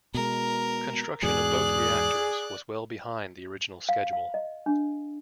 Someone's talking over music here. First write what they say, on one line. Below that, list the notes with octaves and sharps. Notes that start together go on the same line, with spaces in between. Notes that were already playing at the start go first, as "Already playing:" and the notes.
Construction of both reactors was well behind the original schedule.
B2 G#3 A#4
E2 G#2 B2 G#4 D5 F#6
F5
F5
D#5
D4